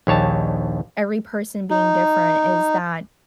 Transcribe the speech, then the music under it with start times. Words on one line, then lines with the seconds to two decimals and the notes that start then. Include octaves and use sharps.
every person being different is that
0.07 A#1 D#2 C#5 A5
1.70 D#4